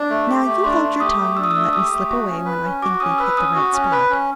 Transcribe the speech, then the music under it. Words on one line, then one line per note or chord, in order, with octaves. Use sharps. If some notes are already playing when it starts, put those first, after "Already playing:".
Now you hold your tongue, and let me slip away when I think we've hit the right spot.
Already playing: D4
A3
G4
A3
D4 C6
A3
G4 D#6
A3
D4 E6
D#6
A3 E6
G4 D#6
A3
F#4
C#4
B4
C#4
F#4 D6
C#4 D#6
B4 E6
C#4 D#6
F#4
C#4
B4
C#4